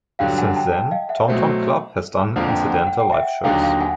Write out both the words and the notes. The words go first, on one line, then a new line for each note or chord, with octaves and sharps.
Since then, Tom Tom Club has done incidental live shows.
G2 D3 F#3 F5 G5
F#5 G#5
G5 A5
G5 A5
D#5 F5
E5 F#5
B2 F#3 A3 C4
F2 D3 F3 A#3 F#5
G5
F#5
G5
F#5
G5
E5 F#5
D#2 D3 F#3 A#3 D#4 F5 G5
F5 G5
F#5 G#5